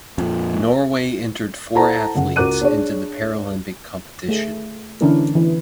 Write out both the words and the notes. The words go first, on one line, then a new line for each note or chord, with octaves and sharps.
Norway entered four athletes into the Paralympic competition.
F2 A#2
E4 A4 C5 F#5 A5 A#5
F#2 C#3 F#5
C#2 F#4 A#4 D6 F#6 D#7
D4 G#4 C#5
A3 G#4
D3 E3 C#4 D4 E4 A#4
E3